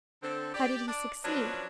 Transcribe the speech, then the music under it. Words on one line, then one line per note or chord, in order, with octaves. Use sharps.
'How did he succeed?'
D3 C4 A4
G4 D5
D4 D5
F3 F#3 C#4 D4 B4 D5